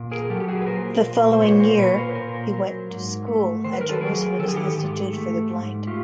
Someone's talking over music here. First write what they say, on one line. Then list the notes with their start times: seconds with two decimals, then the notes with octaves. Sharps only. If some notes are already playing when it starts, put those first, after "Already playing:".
The following year he went to school at Jerusalem's Institute for the Blind.
Already playing: A#2
0.11 G#4 A#4
0.30 F#3 G4 A4
0.40 G4
0.48 F#4 G#4
0.62 B4
0.67 A#2 A#4 C5
1.05 A#2
1.33 C5
1.42 A#2 B4 C#5
1.60 A#4 C5
1.78 A#2 B4 C#5
1.97 A#4 C5
2.15 A#2 A#4 C5
2.53 F#3
2.90 G#2
3.27 A3
3.64 D#3 C5
3.73 B4
3.81 A#4
3.89 A4 B4
4.01 F#3 G#4 A#4
4.39 D#3 A4
4.48 G#4
4.56 G4 A4
4.76 G#2
5.13 A3
5.50 G#2
5.87 A3 F4 G4